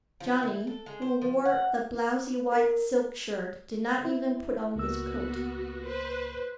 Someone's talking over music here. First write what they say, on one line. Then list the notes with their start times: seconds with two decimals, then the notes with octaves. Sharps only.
Johnny, who wore a blousy white silk shirt, did not even put on his coat.
0.20 F3
0.43 E3
0.67 A4
0.86 G#3
1.02 C5
1.22 F3
1.45 F#5
2.52 A#4
4.05 E4
4.76 C#2 A#3 B3 F#4 E6
5.87 B4 C5